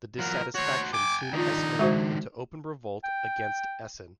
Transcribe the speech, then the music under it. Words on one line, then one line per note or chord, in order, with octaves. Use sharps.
This dissatisfaction soon escalated into open revolt against Esen.
F3 F#4 A#4
F#4 C5 C#5
G5 G#5 D6
D#3 D4 D#4 F4 D5
G#3 F#4 C5
G5